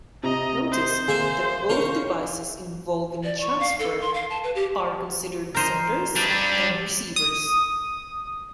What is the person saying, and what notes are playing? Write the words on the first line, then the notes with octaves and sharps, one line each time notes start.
Notice that both devices involved in a transfer are considered senders and receivers.
C3 D#5 A#5
C5
A#3 G#4 E5 G#5
C#4 F4 A#4
D5
C#6
F5
A4
C6
F5
A5
B4
G4
A#4 C5 D#5
G3 D4
D#6